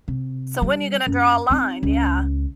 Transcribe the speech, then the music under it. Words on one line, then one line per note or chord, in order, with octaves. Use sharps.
So, when you gonna draw a line? Yeah.
C3
E3 G3
F#2
C4 D#4
C#2